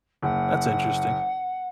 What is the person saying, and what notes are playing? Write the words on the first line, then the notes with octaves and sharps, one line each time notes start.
That's interesting.
F#1 F#5